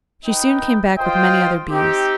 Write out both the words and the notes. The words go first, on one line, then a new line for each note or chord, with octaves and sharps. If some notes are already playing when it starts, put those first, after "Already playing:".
She soon came back with many other Bees.
D#4 B4 D#5 G5
F4 C5 D#5 G5
C4 D#4 G4